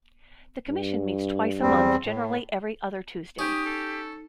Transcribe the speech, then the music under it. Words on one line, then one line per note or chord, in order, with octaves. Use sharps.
The commission meets twice a month- generally every other Tuesday.
G2
E2 G3 C4
A2
C#4 D#4 G4 D#6
A4